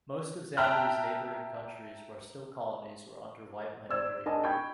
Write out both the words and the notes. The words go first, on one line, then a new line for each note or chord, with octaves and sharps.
Most of Zambia's neighbouring countries were still colonies or under white minority rule.
E5 G5 A5 A#5 F6 F#6
C5 D5 E6 G#6
D4 A#4 D#5 G#5 A5
G5 B5 C#6 G6 G#6